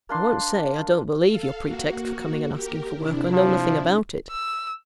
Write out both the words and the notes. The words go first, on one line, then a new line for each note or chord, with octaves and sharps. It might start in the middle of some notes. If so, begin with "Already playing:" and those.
I won't say, I don't believe your pretext for coming and asking for work; I know nothing about it.
A#3 D4 C6
A4 F5
A#3 F#4
G4 A#4
C3 D4 E4
F3
E6